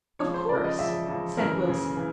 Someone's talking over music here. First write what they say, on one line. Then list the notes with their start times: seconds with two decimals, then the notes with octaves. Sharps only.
"Of course," said Wilson.
0.19 C#2 C#3 F3 C#5
0.34 C5
0.49 C#2 C#3 F3 D5
0.64 D#5
0.79 C#2 C#3 F3 E5
1.08 C#2 C#3 F3
1.37 F#2 C#3 E3 A#4
1.67 F#2 C#3 E3
1.97 C#3 E3